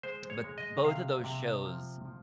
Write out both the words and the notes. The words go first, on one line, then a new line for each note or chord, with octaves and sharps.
but, both of those shows,
G#3 C5
C#5
G#3
D#5
C3 F5
C3
F3
F3